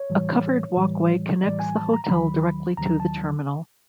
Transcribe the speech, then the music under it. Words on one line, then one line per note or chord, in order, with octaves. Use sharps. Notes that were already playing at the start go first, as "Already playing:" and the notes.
A covered walkway connects the hotel directly to the terminal.
Already playing: C#5
A2 E3 G3
A2 E3 G3
A2 E3 G3 D5
G#5
A5
A#5
A#5
D#2 D#3 F#3 B5
D#2 D#3 F#3 A#5
A5